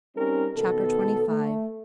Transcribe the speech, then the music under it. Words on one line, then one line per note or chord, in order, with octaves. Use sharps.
Chapter XXV.
G3 C4 C#4 D#4 G4 A#4
B2 D#3 B3 A4
A3